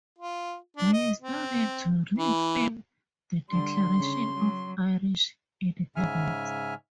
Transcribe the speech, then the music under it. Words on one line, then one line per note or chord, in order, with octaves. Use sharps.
There is no need to reaffirm the declaration of Irish independence.
F4
D4
D#5
C4
E3
D3 G3 C6
C#3
F#3
G#2 C#3 E5 G#5 F6